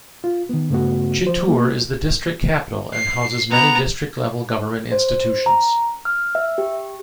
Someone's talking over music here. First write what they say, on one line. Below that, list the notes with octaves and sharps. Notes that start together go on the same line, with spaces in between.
Chittoor is the district capital and houses many district level government institutions.
F4
D#3 B3
G2 C#3 A3 B3 C#4 F#4
F3 C5
A#3
C7
B3 A#5
C5
A#5
F6
E5
G4